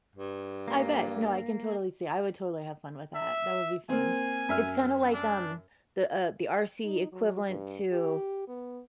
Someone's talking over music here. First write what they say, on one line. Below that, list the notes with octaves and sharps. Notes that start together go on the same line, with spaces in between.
I bet, no, I can totally see, I would totally have fun with that, that would be fun. It's kinda like, um, the, uh, the RC equivalent to,
G2
A#3
E5
A#3 C4 G#5
F#2 E5 F6
D4
D#4
F#3
G2
G4
B3